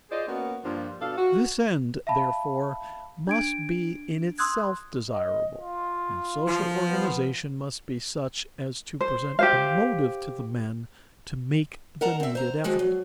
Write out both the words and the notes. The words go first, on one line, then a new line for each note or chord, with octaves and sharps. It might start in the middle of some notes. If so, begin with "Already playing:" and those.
This end, therefore, must be in itself desirable, and social organization must be such as to present a motive to the men to make the needed effort.
F4 G#4 C5 D5 D#5
A#3 B3 C#4 F#4
G2 F3 G3 A#3 D4 F4
B2 D4 A4 F5
F#4
E5 F5 A5 B5
D4 G#6 D7
C6 D#6 E6 F#6 G#6
D#5
F4
F3
B3
C5
G4 C5 F5
A#4 D#5 F#5 A5 A#5
C4 E5
C5 A#5
D#3 F3 F#3 G#3
F#3